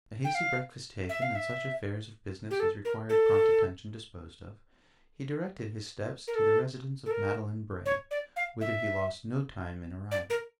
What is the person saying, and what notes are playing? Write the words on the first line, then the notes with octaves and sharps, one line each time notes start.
A hasty breakfast taken, and such affairs of business as required prompt attention disposed of, he directed his steps to the residence of Madeline Bray: whither he lost no time in arriving.
G5
F5
E5
F5
E5
G4
A4
A#4
A4
A#4
A4
A4
A#4
C#5
D5
F5
E5
D5
A#4